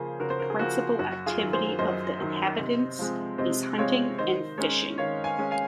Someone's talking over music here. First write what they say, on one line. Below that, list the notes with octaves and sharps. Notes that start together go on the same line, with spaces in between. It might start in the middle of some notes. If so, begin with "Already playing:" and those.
The principal activity of the inhabitants is hunting and fishing.
Already playing: C#3 F3 A#3 G#4 C5
C#3 F#4 A#4
C5
A#4
G#4
F3 A#3 F#4
F#2 F#4
F4 G#4
D#3 F#3
G#4 C5
F#2 C5 D#5
D#3 F#3
C3
F3 G#3 C4
C3 C5 D#5
F3 G#3 C4 C#5 F5
D#3 C5 D#5
G#3 C#4 A#4 C#5
D#3 C#5 F5
F5 G#5
G#3 C#4
F5 G#5